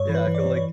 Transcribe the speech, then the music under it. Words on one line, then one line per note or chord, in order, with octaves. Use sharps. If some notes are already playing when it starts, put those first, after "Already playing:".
Yeah, I feel, like,
Already playing: G2 C#5
E3
B4
E3
D5
C#5
E3
C#5